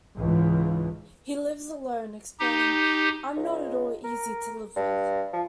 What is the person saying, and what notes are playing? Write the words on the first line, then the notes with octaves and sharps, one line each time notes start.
He lives alone, explaining: I'm not at all easy to live with.
C#2 G#2 E3
D#4 G4
C#2
A#4
G2
F3